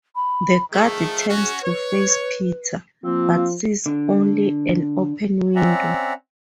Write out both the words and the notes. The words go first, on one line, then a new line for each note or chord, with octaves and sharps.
The guard turns to face Peter, but sees only an open window.
B5
D#3 F3 A3 G#4
C#4 F#4
B4 C#5
F3 A#3 C4 F4
D3
C4 C#4 D5 E5 F#5 A#5